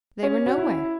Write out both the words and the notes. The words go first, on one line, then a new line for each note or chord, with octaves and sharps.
They were nowhere.
C#4
F#4
E4